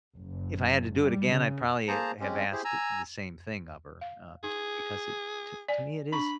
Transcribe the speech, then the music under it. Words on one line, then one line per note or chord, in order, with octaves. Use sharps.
if I had to do it again, I'd probably have asked the same thing of her, uh, just because it t to me, it is
F#1
G3
C#3
A#3 G#4 C5 A5 A#5
G#3 C4 C#4 G4
E4 G4 G#4 C5
G#5 A#5 E6
F5
D#4 G#4
D5 G#5
D4 A#5 B5 C#6